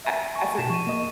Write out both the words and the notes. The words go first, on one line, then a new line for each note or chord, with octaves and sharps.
I I for
E5
G#5 A5 C#6
B2 E7
F3 C#6 D#7
A#3 D#5